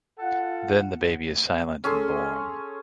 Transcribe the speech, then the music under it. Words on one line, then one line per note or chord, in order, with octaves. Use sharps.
Then the baby is silent and born.
F4 A4 F#5
C#4 G#4 A4 C6